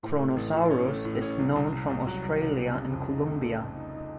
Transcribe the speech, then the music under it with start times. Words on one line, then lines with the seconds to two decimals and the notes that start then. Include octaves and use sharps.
"Kronosaurus" is known from Australia and Colombia.
0.03 A2
0.19 A3
0.36 A1
0.54 A2
0.71 C#4
0.88 A3
1.05 A2
1.22 C#4
1.39 C2
1.56 C2
1.72 C2
1.89 C2
2.07 F#3
2.23 C2
2.41 C2
2.58 C3
2.75 C#3
2.92 F2
3.09 D#4
3.26 A3
3.43 A3
3.59 A3
3.76 D#4
3.94 D#4